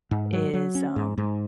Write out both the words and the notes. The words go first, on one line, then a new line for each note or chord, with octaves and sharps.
is, um,
G#2
F#3
F#3
C#4
G#2
G#2